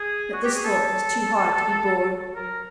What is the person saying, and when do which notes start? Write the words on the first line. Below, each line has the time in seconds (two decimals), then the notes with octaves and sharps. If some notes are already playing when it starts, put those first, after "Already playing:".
But this thought was too hard to be borne.
Already playing: G#4
0.33 F#4
0.44 G4
0.54 G#4
0.64 A4
2.35 A#4